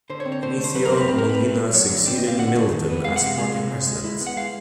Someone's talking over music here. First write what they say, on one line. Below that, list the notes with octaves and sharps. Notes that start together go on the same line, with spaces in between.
Vinicio Molina succeeded Middleton as party president.
D3 C5
C#5
C4
C#5
D3 C5
A3
C5
F#3 B4
A#4
C4
B4
C4 A#4
A#4
C4
B4
A3
A3
F#3 C#5
D3
C4 D5
C4 D#5
F5
D3 F#5
A3
D#3
B3
G#3 F5
F#5
C3
F5
G#3 F5
C3
G#3
G#3
E4
B3
F#5
G#3 F5